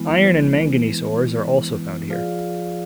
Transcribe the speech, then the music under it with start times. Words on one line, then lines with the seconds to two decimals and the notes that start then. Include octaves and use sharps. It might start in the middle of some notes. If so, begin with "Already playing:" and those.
Iron and manganese ores are also found here.
Already playing: E3 G#3 B3 E4
0.24 F3
0.61 E3
2.10 F3 F4 G#4 D5 F5